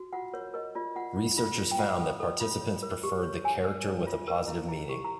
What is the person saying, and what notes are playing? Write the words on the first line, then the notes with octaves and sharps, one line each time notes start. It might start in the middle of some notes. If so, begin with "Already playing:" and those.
Researchers found that participants preferred the character with a positive meaning.
Already playing: F#4
F4 F#5
A#4 C#5
A#4 D#5
F4 D5
F4 F#5
F4
F4
F4
G5
F4 F#5
A4
A4
F4
C#5
A#4
G4
C#5
C#5 G#5
A#4
C#5
F4
A#4
E4
E4
G4
A#5